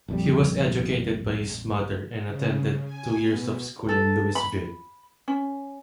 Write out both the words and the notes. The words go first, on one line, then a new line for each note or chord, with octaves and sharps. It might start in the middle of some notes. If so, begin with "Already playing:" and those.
He was educated by his mother and attended two years of school in Louisville.
A#1 F2 G3
C#3
G#5
B2
A4
B5
C#4